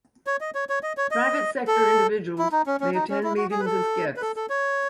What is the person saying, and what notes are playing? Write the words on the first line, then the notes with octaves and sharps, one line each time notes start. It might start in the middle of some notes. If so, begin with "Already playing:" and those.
Private sector individuals may attend meetings as guests.
C#5
D#5
C#5
C#5
D#5
C#5
D#5
A4
E4
D#4
C#4
C#4
D#4
C#4
E4
F#4
G#4
B4
A4
B4
A4
A4
C#5